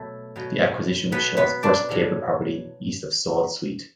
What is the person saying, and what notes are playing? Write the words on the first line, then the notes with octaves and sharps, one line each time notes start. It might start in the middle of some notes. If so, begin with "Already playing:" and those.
The acquisition was Shaw's first cable property east of Sault Ste.
Already playing: B2 F#3 A3 A4
B2 F#3
B2 F#3 B3 B4
B3 B4
D4 D5
B2 F#3